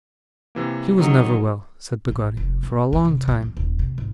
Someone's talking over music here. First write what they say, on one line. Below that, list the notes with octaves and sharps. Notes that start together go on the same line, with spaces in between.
'She was never well,' said Peggotty, 'for a long time.
C3 E3 A#3
C3 D#3 F#3
A1
F1
C4
C4
F1
G#2
F2
D#1
C3
G#1